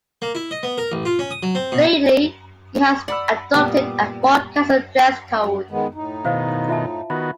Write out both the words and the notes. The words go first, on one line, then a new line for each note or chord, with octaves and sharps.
Lately, he has adopted a more casual dress code.
A#3
E4
D#5
B3
A#4
A1
F4
C#4
D#6
F#3
C4
B2
D5 F#5 B5 E6
A#2 G3 B3 D6
D#3 G#3 B3
A2 D#4
B2 D#3 E4 C5 F5
F4 E5 A5
D#3 B3 F#4 B5